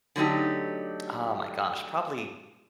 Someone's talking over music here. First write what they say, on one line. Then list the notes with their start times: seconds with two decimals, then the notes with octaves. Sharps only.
Oh my gosh. Probably
0.16 D3 F#3 A3 D#4 G4